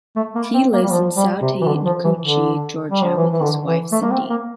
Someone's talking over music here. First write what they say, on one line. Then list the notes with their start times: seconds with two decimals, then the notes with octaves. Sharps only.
He lives in Sautee Nacoochee, Georgia with his wife Cindy.
0.16 A3
0.36 A#3
0.54 C4
0.73 A#3
0.83 G3
0.91 F3
1.17 G3
1.42 C3
1.61 E3
1.66 D3
1.86 F3
2.04 E3
2.23 D3
2.91 G3
3.04 F3
3.17 E3
3.32 E3
3.42 D3
3.67 E3
3.92 A3
4.02 A#3
4.11 C4
4.30 A#3